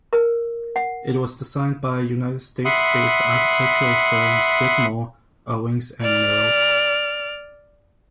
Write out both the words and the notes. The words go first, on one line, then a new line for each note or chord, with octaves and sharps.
It was designed by United States-based architectural firm Skidmore, Owings and Merrill.
A#4
F#5
E5 F#5 B5 C6 D#6
D5 F6